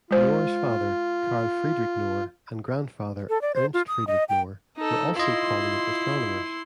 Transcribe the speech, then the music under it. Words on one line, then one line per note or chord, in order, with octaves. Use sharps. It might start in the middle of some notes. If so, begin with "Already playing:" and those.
Knorre's father, Karl Friedrich Knorre, and grandfather, Ernst Friedrich Knorre, were also prominent astronomers.
G#3 F4 C5
A4
D5
C5
F4
D#6
D#5
G5
D#4 A4
E4 F4 D#5 C6